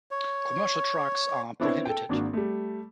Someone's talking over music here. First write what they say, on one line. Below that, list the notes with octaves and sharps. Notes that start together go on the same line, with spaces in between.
Commercial trucks are prohibited.
C#5
B3 C4 D4 E4 C#5
A4 G5
G#1 A#3 D4 F#4
G3 A3